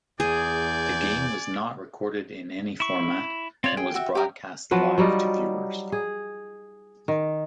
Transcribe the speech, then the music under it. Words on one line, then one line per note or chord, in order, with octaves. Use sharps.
The game was not recorded in any format and was broadcast live to viewers.
E2 G#4 D5 G#5 G6
E4 C#6
C4 F4 C#5 D5
G#4 G5
F#4 E5
G4 A#4
F3 F#3 B4
F#3 G3 D#4 F4
G#4
D#3